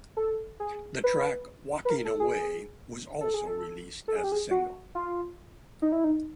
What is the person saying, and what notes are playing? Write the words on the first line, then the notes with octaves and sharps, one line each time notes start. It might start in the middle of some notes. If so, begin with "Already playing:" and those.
The track "Walking Away" was also released as a single.
A4
G#4
B4
B4
A#4
A4
G#4
A4
G#4
A4
A4
G#4
G4
G#4
F#4
F4
D#4
E4
D#4